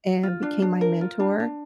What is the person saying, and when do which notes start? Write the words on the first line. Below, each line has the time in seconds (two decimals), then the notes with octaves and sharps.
and became my mentor,
0.23 F4
0.43 D4
0.62 D4
0.81 A#4
1.01 F4
1.20 D4
1.40 D4